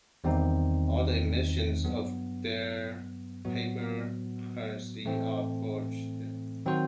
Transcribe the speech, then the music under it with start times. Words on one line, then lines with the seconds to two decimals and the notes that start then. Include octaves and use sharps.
All the emissions of their paper-currency are forged.
0.24 E2 D#3 G3 C4 D#4
1.84 G2 F#3 B3
3.45 A2 F#3 B3 F#4
5.05 A2 E3 A3 C4
6.66 D#3 F#3 C4 F#4 C5